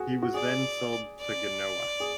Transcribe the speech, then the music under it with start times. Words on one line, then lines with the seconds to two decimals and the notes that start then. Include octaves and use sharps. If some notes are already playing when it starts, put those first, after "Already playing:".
He was then sold to Genoa.
Already playing: F#4 G#4
0.22 F#4
0.34 G#4 D5
1.21 D5
2.00 G#4